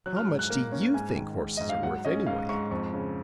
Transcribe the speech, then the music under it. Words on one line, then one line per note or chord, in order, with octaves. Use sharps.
"How much do you think horses are worth, anyway?"
F#3 F#6
F6
G#2
F#6
A#3
C#4
G#2 G#5
D#3
G#2
G#2 D#5
F5
F#3 F#5
C#4 D#5
G#2 F5
G#2 C#6
F2 C#6
C#3